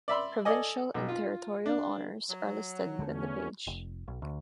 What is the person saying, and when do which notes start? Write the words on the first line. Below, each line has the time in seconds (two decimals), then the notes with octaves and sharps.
Provincial and territorial honours are listed within the page.
0.08 D5 E5 B5 C6
0.45 A4 D5 D#5 G#5
0.94 B1
1.08 F4
1.66 D4
2.29 F#3
2.99 E2 D3 A3 C#4
3.67 F1
4.08 B1
4.22 D2